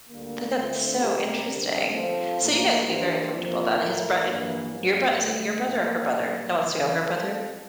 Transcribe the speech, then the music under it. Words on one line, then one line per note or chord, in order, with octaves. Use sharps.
But that's so interesting. So, you guys will be very comfortable, but and his brot and your brot Is it your brother or her brother, that wants to go? Her brother?
D2 D3 G3 A#3
D2 D3 A3 C4 F4
C3 G3 C4 G4 A#4
D3 G3 C4
F3 C4 F4 A4 C5
A2 F3 A#3
E3 A#3 D4 G4 C5
F2 C3 F3 A#3
A2 E3 A3 E4 A#4
G2 E3 A#3
G2 F3 A#3 D4
D2 D3 A3
A2 F3 A#3
A#2 G3 A#3
C2 C3 E3
F3 C4 F4 A4